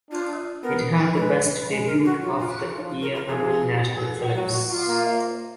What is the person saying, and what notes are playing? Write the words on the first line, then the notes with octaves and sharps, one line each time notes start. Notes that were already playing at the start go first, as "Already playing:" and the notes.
It had the best debut of the year among national films.
D4 F4
B3 A#4
G#3 B4
G#3
A#4
F#4
F#3 F4
F4
F4
F3 D#4
F4
A#4
A#4
F3 G#4
F#3 F#4
F#4
F4
A#3